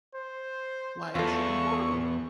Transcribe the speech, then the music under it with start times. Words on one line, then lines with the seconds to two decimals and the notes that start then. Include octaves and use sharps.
Why, I should be horrible!
0.14 C5
1.15 E2 F4 A4 C#6